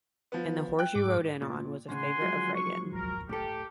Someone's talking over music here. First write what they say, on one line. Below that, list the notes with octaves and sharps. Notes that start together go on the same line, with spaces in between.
"And the horse you rode in on" was a favorite of Regan.
F3 B3
G5 F#6
G#2 D6
A#2
D#2 A2 C#3 F#5 G#5 C6
F3 F#3 G#3
C#6
A#4
A2 G4 A4